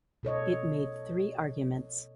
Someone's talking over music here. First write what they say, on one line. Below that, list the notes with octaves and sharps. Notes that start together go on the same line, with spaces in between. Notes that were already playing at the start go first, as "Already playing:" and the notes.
It made three arguments.
B2 A4 C#5 D#5